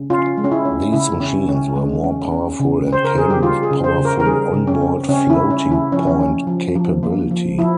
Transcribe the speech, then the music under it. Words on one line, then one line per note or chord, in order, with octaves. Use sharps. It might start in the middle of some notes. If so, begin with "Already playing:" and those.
These machines were more powerful and came with powerful on-board floating-point capability.
Already playing: C#3
C#4 F4
G#3
C#4
E4
C#4
C#3 E4
C#4
C#4
G#3
C#4
C#4
C#3
C#3
C5
A#4
C#3 G#4
G4
G3 F4
G#4
C#3
C5
C#3
A#4
A#4
G3 G#4
C#3
C#4
C4
C#3 C#4
E4
G3
C#4
C#3
E4
F3 C#4
C#4
C#4
F3
F3
A#3
F3
F3 E4